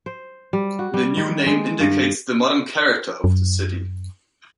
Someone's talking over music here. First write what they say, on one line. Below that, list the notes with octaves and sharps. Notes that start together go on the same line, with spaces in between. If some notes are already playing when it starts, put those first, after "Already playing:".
The new name indicates the modern character of this city.
C5
G3
F#4
G3
D#3
G#3
G2
F#2